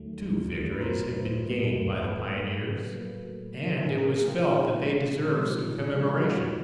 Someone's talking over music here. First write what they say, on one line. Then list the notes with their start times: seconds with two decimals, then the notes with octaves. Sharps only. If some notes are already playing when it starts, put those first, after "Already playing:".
Two victories had been gained by the pioneers, and it was felt that they deserved some commemoration.
Already playing: D#2 D#3 F#3 A3
0.21 D#2
0.51 D#3 F#3 A3
0.72 B4
0.81 D#2 A#4 C5
1.12 D#3 F#3 A3
1.42 D#2
1.71 D#3 F#3 A3
2.01 A2 A4 B4
2.32 F#3 A#3
2.62 A2
2.92 F#3 A#3
3.22 A2
3.53 F#3 A#3
3.83 A2 G#4 A#4
3.98 G#4 A#4
4.12 F#3 A#3
4.28 F4 G4
4.42 A#2 D#4 F4
4.72 F3 G#3
5.03 A#2
5.33 F3 G#3
5.63 A#2
5.78 D4
5.93 F3 G#3 D4
6.08 C#4 D#4
6.17 F#4
6.23 A#2 D#4 F4